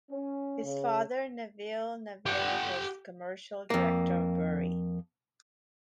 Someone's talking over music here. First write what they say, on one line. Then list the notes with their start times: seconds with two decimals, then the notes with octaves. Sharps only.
His father, Neville Neville, was commercial director of Bury.
0.10 C#4
0.63 C#3
2.26 G4 F#5
3.70 F2 A#3